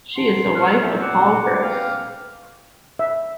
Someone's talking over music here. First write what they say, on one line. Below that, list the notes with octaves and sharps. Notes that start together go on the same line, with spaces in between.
She is the wife of Paul Gross.
F#5 A5 A#5 C6
A#2 D#4 F#4 F#5 F6
C4 C#4 E4 G4 D5 E5
F#5 D6
B3 B4 F5 G5
E5